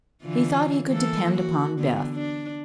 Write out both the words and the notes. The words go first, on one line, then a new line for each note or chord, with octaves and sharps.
He thought he could depend upon Beth.
D3 E3 F4
E3 A#3 A4
F#4
D3 B3
D4